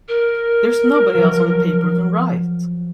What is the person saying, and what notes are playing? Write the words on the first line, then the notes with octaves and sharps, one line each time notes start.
There's nobody else on the paper who can write!
A#4
F3 F#3